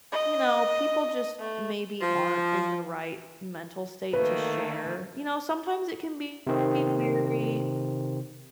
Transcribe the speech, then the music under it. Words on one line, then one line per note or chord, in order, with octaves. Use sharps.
you know, people just maybe aren't in the right mental state to share. You know, sometimes it can be very
D#5
A3
F3
D#3 A3 A#3 B4
C3 D#3 C4